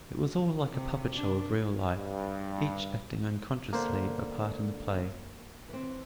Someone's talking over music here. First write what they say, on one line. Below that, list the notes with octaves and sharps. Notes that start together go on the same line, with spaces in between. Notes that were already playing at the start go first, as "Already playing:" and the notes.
It was all like a puppetshow of real life, each acting unconsciously a part in the play.
C3
D4
G2
D3 A#3 B3 D4 C5
E3 C4